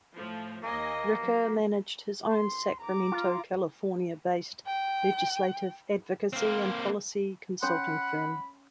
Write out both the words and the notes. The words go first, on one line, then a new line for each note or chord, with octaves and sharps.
Ricker managed his own Sacramento, California based legislative advocacy and policy consulting firm.
A2 F3
D#2 A#3 D#5 G#5
F#3
C6
A#5 D6
F4
G5
A#3 C4
C#4 C#5 F#5 B5 C6